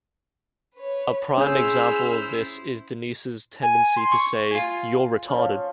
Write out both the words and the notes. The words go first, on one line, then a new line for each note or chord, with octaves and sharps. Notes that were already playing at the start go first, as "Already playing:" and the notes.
A prime example of this is Denise's tendency to say, You're retarded!
B4 C#5
C#4 E4 G#4 C5 E6 F6 G6
G#5
C6
C#6
F4 G#5
F3 C#4